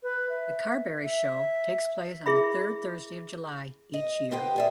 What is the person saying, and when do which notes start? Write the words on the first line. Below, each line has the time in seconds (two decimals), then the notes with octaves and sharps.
The Carbery Show takes place on the third Thursday of July each year.
0.03 B4
0.29 E5
1.04 E5
2.26 E4 G#4 E5 B5
3.94 D#5
4.31 D3 B3 G4 C5 G5
4.56 G#4 D5 E5